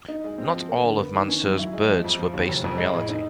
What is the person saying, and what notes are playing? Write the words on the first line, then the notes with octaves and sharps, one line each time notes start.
Not all of Mansur's birds were based on reality.
D#4
G#3
C4
F3
A#3
D3
B3
D#3
C#4
F#3
E4
G#3
F3
F2
F3
D#2
F1
F2
G#3
A2
D#4